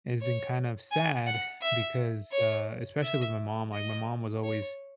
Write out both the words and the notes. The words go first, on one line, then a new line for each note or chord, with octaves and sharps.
it's been kind of sad because, uh, especially with my mom like, my mom was always
C#5
G#5
F#5
E5
C#5
E5
D#5
C#5